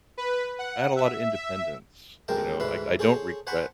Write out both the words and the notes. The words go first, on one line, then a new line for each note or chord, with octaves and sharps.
I had a lot of independence, you know, I I don't regret
B4
F#5
E5
E5
A1 D2 G#3 A#4 G5 A5
D2 G#2 E3 B4 B5 C6
G#4 A4 C5 C#5 A5
C5 F#5 G#5 A5 B5 C#6